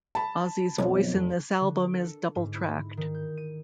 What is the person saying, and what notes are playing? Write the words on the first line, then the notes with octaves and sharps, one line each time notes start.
Ozzy's voice in this album is doubled tracked.
A5 B5
B1 F2
F1
D3
A4
G#2
E4
D#3
G6
D#7